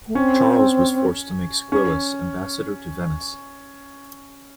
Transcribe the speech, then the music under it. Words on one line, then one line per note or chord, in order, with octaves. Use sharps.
Charles was forced to make Squillace ambassador to Venice.
A3
C4 C#4
C#4